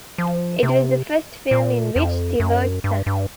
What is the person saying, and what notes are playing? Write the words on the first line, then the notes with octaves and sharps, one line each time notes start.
It was the first film in which Stewart sang.
F3
C3
A#2
F2
F#2
G2
G2